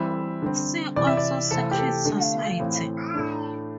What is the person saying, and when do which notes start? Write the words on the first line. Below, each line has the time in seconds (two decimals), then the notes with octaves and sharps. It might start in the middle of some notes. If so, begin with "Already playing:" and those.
See also secret society.
Already playing: E3 G3 C4 E5
0.42 D3 G3 C4
0.96 C3 E3 C4 D5
1.07 E5
1.17 D5
1.51 C3 E3 A3 C4 A4
1.71 G4
1.78 A4
2.05 D3 A3 D4
2.60 A2 E3 C4
3.14 A2 A3 D4